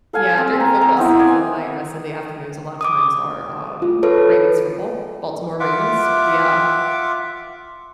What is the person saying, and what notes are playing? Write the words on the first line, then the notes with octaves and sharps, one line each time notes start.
Yeah, during football season, my my Sunday afternoons a lot of times are um, Ravens football, Baltimore Ravens, yeah,
A4 F5 G#5
C4
A#5
A#5
B3 C4 E4
D#5 G#5 D6
D6 D#6
F4
A4 B4 C#5
F4 E5 F#5 D6